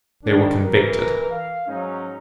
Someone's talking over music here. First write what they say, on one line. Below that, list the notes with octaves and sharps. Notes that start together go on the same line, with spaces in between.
They were convicted.
D#3 D4
E3 A#4
F5
G#2 F#3 C#4 D#4